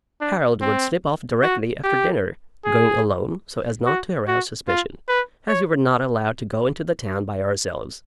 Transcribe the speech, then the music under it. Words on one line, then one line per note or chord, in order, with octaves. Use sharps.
Harold would slip off directly after dinner, going alone, so as not to arouse suspicion, as we were not allowed to go into the town by ourselves.
D4
C4
F#4
G4
G#4
F#4
F#4
F4
B4
C#5